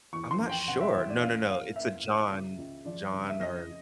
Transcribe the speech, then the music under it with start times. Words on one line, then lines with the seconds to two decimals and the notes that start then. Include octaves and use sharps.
I'm not sure. No, no, no, it's a John John or
0.13 E2 C#6
0.31 C6
0.40 F3
0.50 G5
0.68 C3 F#5
0.81 E5
0.94 E2 E5
1.09 D5
1.22 C#4 F5
1.50 A#3 F5
1.76 A#3 E5
2.04 A#2
2.31 C#3
2.58 C#2
2.85 F3 D5
3.13 C#3
3.29 E5
3.40 F2 D#5